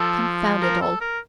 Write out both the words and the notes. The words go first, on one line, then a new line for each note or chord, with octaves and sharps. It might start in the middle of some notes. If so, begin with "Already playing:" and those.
Confound it all!
Already playing: F3 A4
A#4
A4
A#4